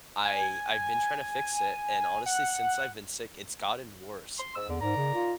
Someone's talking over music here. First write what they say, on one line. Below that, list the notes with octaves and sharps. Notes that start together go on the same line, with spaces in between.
I I've been trying to fix it. And, honestly, since I've been sick, it's gotten worse.
G#5
F#5
C6
G#2 E6
E2 D3
G#2 D#3 D5 A#5
C#3
F4